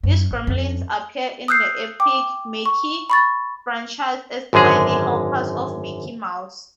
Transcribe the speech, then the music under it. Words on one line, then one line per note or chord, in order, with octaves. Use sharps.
The Gremlins appear in the "Epic Mickey" franchise as tiny helpers of Mickey Mouse.
F#2
A1
F2
D#6 E6 F#6 G6 C7
G5 D6
C#6
B5 C#6 A6
G#1 F#2 D3 G#3 G#4